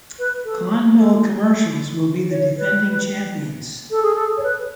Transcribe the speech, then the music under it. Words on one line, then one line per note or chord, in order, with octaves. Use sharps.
Clonmel Commercials will be the defending champions.
B4
A4
A4
C#5
B4
A4
G#4
A4
C#5
B4